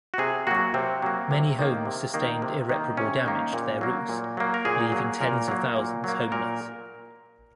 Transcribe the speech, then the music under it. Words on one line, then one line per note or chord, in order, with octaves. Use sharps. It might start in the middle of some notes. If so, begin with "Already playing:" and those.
Many homes sustained irreparable damage to their roofs, leaving tens of thousands homeless.
F#4
C3 G#4
F#3 A#3 F#4
C3 C4
F#3 A#3
C3
D#3 A#3
C3
D#3 A#3
C3
D#3 A#3
C3 C#4
D#3 A#3
A#2
F#3 A#3
A#2
F#3 A#3
A#4
A#2 G#4
F#3 A#3
A#2 A#4
F#3 A#3
A#2
F#3 A#3
A#2 A#4